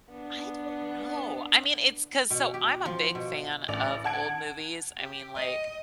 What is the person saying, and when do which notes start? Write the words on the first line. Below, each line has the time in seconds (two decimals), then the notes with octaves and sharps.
I don't know, I mean, it's 'cause so I'm a big fan of old movies, I mean, like,
0.10 B3 D4
2.30 B2
2.54 G4
2.85 F3
3.15 B2
3.68 A1 D5 F7
4.04 F#5 A5 G#6 D7
4.98 G4
5.36 D#5